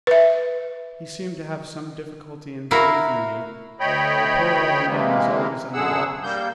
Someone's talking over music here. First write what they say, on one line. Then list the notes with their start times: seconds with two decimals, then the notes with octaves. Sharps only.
He seemed to have some difficulty in believing me. The poor old man is always on the watch.
0.07 B4 E5
2.71 E4 F#4 A#4 F5
3.80 D2 C#5 D#5 G5 B5
4.88 C3 E3 G#3 A#3
5.74 F#2 D3 G#4 F#5 E6
6.23 G3 A#3 G6